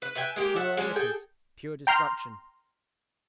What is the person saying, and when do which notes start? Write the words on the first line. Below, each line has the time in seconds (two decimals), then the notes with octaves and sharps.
"Pure liquors:" pure destruction!
0.02 B4
0.15 B4 E5 G5 G#5
0.36 G#3 A#3 G4
0.56 A4 E5 F#5
0.77 G#3 C#4 D4
0.96 G#4 A4 G5
1.87 G5 A#5 C6 F6